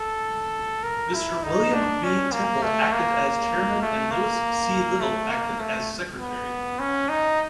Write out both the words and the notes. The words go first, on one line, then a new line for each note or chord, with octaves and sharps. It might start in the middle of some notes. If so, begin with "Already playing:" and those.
Mr. William B. Temple acted as Chairman and Lewis C. Little acted as Secretary.
Already playing: A4
A#4
E4
D#4
D4
C#4
A#3
A3
A#3
A3
A#3
A3
A#3
A3
B3
C#4
D#4